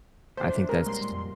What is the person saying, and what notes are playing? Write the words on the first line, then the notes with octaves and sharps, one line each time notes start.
I think that's
A3 D4 C5
G#3 C#4 F#4 A#4
A#2 G3 G#3 C6
F2